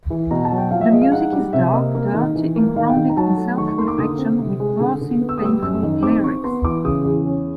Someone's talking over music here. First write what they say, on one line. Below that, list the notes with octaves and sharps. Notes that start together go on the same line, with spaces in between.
The music is dark, dirty, and grounded in self-reflection, with piercing, painful lyrics.
E3
B2 A#5
A5
F#3
G5
F3 F5
E5
G#3 D#5
F5
D#4 F#5
G3
C3 E5
A#3 D#5
A#3
D#3
E3
A#3
D#3 F5
G5
D#3
A#5
F#3 A5
A3
D#3 C#6
C#6
A#3 C6
D6
D3 D#6
C4
C3
G#3
D3
D3
B3
E6
D#6
G3 E6
F#2 E6
D#3
C4 D6
C4 C#6
B3 C6
E3 D6
C#3 D#6
E2
C#4